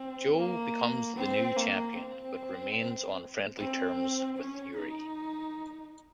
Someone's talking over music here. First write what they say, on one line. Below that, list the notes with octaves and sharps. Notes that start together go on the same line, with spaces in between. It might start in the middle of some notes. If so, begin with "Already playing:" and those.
Joe becomes the new champion but remains on friendly terms with Yuri.
Already playing: C4
A#3
C4
A#3
C4
C4
C#4
D#4